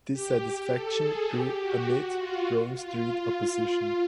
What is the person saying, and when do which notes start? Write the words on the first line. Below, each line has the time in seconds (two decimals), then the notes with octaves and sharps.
Dissatisfaction grew amid growing street opposition.
0.12 G4
0.42 G4
0.72 A4
1.00 G#4
1.30 G4
1.60 F#4
2.17 F4
2.76 F4
3.05 F4